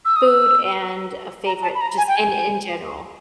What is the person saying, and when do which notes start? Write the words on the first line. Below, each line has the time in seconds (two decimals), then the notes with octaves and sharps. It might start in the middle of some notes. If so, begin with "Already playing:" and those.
food and a favorite just in in general?
0.05 E6
0.16 D#6
0.27 E6
1.46 A#5
1.63 A5
1.75 B5
1.81 A#5
1.98 G#5
2.08 G5
2.16 G#5